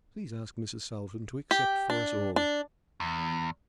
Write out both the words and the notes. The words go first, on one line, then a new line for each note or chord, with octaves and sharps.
"Please ask Mrs. Salton to accept for us all."
G4
D4
D4
E2